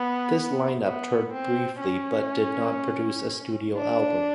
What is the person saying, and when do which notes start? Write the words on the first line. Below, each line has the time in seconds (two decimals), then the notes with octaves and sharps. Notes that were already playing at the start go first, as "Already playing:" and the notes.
This line-up toured briefly but did not produce a studio album.
Already playing: B3
0.84 B3
1.33 C4
1.81 C#4
3.77 D4